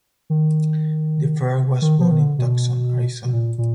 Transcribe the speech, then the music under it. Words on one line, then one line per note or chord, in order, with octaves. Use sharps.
DeFer was born in Tucson, Arizona.
D#3
D#3
F3
D#3
D3
B2
B2
A#2
A#2